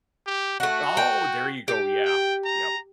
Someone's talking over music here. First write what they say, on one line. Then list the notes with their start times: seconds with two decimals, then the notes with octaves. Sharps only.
Oh, there you go, yeah, yep.
0.27 G4
0.60 A3 F#4 F#5
0.97 G5
1.68 G4
2.05 G5
2.45 A#5